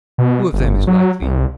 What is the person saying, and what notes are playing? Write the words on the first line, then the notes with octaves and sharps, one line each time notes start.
Who of them is like thee?
B2
G1
F#3
C2